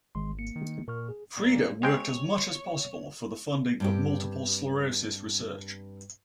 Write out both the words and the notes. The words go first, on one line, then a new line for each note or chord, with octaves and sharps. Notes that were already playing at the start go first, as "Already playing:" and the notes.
Frieda worked as much as possible for the funding of multiple sclerosis research.
G#1 D#3 G#3 C6
A#3 C#7
D#3
A#2 A#4 C#6 F6
G#4
A#2
G#3 C4 C#5 G5
G2 C4 G4